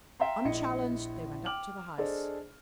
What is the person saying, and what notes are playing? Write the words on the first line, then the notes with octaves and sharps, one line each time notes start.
Unchallenged they went up to the house.
E5 F5 G5 A#5 C6
A#1 E4 D#5 C#7
G5 D6 F6 F#7
D4 G#4 A4 C5 D5 D#5